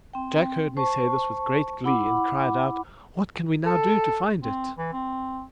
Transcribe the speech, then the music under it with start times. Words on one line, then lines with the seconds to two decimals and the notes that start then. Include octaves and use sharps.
Jack heard me say this with great glee, and cried out, "What can we now do to find it?"
0.13 C4 G5
0.77 C5 A5 C#6
1.84 E4 F#5 B5 D6
3.66 A4
4.42 C4
4.78 E3
4.93 C4